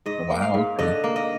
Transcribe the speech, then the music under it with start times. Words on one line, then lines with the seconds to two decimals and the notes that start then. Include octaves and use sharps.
Oh, wow. Okay.
0.06 G#2 D#5
0.30 A#3
0.42 F5
0.54 G#2
0.79 D3 D#5
1.04 A#3
1.16 D#5